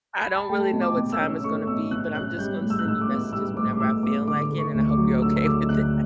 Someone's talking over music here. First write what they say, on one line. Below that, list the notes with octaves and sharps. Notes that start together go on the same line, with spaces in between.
I don't really know what time it's gonna be, but I'm just gonna send you messages whenever I feel like it, and I hope you're okay with that.
B5
A5
A3 G5
B2
D6
B2
E6
C#4
A3 C#6
B2 E6
B2 F#6
C#4 F#6
G3 G6
A2
E6
F#6
A2 E6
D6
B3
G3 E6
A2 D6
D6
A2 E6
B3 D6
D3 D6
A3
C#6
D2
D6
F#3
D3 E6
E6
A3 D6
D2 F#6